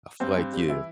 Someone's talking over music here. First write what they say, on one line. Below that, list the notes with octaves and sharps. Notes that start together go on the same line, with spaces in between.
I feel like yeah.
G2 C4
G2
G3
E3 E4